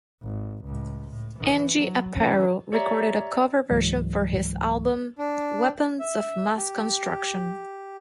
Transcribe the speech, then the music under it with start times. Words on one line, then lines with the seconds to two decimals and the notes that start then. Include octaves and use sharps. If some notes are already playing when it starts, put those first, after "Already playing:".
Angie Aparo recorded a cover version for his album "Weapons of Mass Construction".
0.22 G#1
0.64 C#2 A2
1.09 A2
1.38 E3
1.76 F#3
2.14 E3 C#4
2.72 G4 C#5 D5 E5 A#5
3.69 C#2 G#2 E3 F#3 G#3
5.18 D4
5.99 E5
6.57 G4